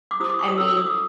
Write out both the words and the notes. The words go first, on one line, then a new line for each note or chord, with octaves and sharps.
I mean,
D6
E4 G4 C5 D#6
D6
C#6
D#6
C#4 E4 A4 E6
E6
D#6
D6